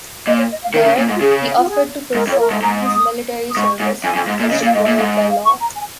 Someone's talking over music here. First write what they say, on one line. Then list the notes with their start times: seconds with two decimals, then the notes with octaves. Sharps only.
There, he offered to perform his military service, as required by law.
0.27 A#2 D#5
0.38 C#5
0.50 D#5
0.62 F5
0.74 D#3 A#4
0.85 C#3
0.98 A#2
1.09 G#2
1.15 F4
1.21 C#3 G#4
1.57 F4
1.68 G#4
2.15 G#2 A#4
2.27 F2
2.32 C#5
2.39 A#4
2.51 G#2
2.62 G#2 A#5
2.86 D#6
3.50 D#6
3.57 G#2 C#6
3.80 G#2
4.04 F2 G#5
4.15 F2
4.27 G#2
4.40 A#2
4.51 C#3 D#5
4.63 A#2
4.66 F5
4.74 G#2 D#5
4.87 A#2
4.98 G#2 F5
5.14 G#5
5.30 F5
5.45 C#6
5.61 A#5
5.77 G#5